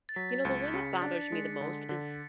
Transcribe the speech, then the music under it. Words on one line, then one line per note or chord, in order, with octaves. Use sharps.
You know, the one that bothers me the most is
A6
F#3 B6
A6
C#2 C#7
C#3 C#7
D4 A6
B6
A6
G#3
D3
D3